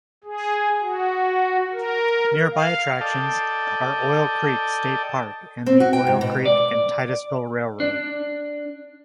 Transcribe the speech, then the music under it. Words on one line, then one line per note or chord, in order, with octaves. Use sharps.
Nearby attractions are Oil Creek State Park and the Oil Creek and Titusville Railroad.
G#4
F#4
A#4
F5
A4 D5 D#5 G5 A5
C4
F#4
G5
G#2
B2
D5
D4